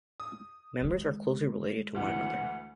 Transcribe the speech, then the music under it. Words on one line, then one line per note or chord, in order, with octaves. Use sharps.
Members are closely related to one another.
D#6
D#3 G#3
D2 E3 F#5